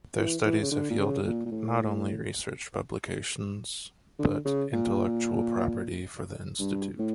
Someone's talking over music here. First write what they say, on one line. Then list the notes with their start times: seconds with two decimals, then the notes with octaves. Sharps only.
Their studies have yielded not only research publications, but intellectual property for the institute.
0.18 E3
0.46 E3
0.62 C#3
0.71 D3
0.90 A#2
0.99 C#3
1.25 A#2
1.46 A#2
1.51 A2
4.19 D3
4.45 C#3
4.73 A#2
6.59 G2
6.99 A2